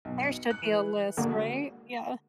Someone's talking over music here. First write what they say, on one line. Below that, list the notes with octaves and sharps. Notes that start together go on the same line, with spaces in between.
There should be a list, right? Yeah.
B1
C#7
F#6
E3
D3 G#3 A#3 F#4 G#4